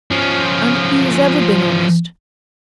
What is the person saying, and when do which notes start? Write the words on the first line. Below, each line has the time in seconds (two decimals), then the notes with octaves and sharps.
And he has ever been honest.
0.11 F3 C#4